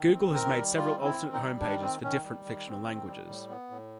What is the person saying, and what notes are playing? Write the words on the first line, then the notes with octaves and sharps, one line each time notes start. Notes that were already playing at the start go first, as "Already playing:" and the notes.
Google has made several alternate homepages for different fictional languages.
Already playing: D#3
C4
D#3 A#4
G3
D#3 F4
C4
E4
D#3
D#4
G3
D#3 D4
C4
D#3 C#4
G3
D#3
C4
D#3
G3
A2
B3
A2